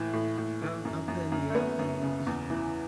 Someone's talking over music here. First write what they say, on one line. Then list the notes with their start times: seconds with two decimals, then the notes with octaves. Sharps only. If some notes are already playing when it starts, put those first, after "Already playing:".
I've I've been there, I've been there for sure.
Already playing: A2 E3
0.13 A2
0.38 A2
0.62 E3
0.85 F#2
1.08 F#2
1.32 F#2
1.50 A3
1.55 F#2 B3
1.79 F#2
2.03 C#3
2.27 E2
2.50 E3